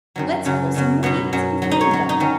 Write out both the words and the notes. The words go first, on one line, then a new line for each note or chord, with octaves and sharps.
"Let's pull some weeds and feed them."
F#2 D#3 F#3
F#2 C#3 F#3
F#2 C#3 F#3
B2 F#3 B3
F#2 F#3
G#2 F#3
D#4
C#5
F#2 F#3
D#4
D#3 F#3 C#4